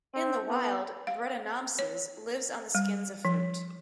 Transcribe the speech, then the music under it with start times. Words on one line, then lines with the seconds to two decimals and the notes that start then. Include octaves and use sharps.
In the wild, "Brettanomyces" lives on the skins of fruit.
0.14 C4
0.49 B3
1.07 F5
1.79 C#5
2.75 G3
3.25 F3